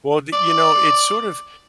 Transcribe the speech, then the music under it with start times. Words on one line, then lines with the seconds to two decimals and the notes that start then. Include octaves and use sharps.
Well, d it's sort of
0.33 D5